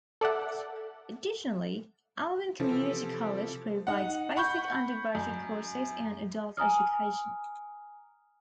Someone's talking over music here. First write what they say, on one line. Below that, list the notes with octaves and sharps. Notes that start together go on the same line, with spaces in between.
Additionally, Alvin Community College provides basic undergraduate courses and adult education.
A4 D5 E5 F#5
C3 E3 F3 A4
D#4 F#5
F#5 B5 C#6 G6
F#2
G#5 A#5 D#6 F6